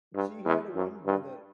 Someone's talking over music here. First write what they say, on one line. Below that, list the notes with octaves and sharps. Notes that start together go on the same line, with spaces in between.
She had one brother.
G2
E2
F#2
G2